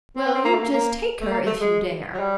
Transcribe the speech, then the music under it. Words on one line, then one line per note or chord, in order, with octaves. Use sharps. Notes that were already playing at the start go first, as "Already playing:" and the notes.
"Well, you just take her, if you dare."
C4
B3
C4
A#3
A3
A#3
A#3
A3
A#3
A3
G#3
F#3
G3